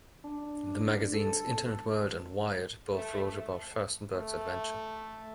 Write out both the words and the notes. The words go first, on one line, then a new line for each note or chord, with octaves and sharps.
The magazines "Internet World" and "Wired" both wrote about Firstenberg's adventure.
D4
A4
A3
A3